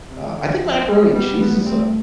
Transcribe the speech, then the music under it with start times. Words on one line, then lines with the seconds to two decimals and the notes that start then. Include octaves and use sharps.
Uh, I think macaroni and cheese is a
0.09 C3
0.25 E3
0.35 D3
0.62 F3
0.88 G3
1.14 G3 B3
1.33 A3
1.41 B3
1.53 G3
1.66 C4
1.73 A3